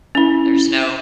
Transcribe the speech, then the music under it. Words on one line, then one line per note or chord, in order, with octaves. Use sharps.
There's no
C#4 E4